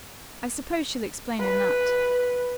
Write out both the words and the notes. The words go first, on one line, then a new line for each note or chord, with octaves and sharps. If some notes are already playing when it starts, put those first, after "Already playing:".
I suppose she'll explain in that.
B4